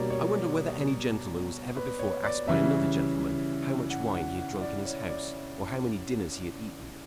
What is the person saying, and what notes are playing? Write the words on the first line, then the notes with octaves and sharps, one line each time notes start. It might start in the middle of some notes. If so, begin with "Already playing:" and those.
I wonder whether any gentleman was ever before asked by another gentleman how much wine he had drank in his house, or how many dinners he had eaten.
Already playing: B2 G3 A#3 D4 C#5 D5
C#5
B4
C#5
D5
C#3 E3 G3 C#4 E5
F#5
F#5
F#5
D5
C#5
D5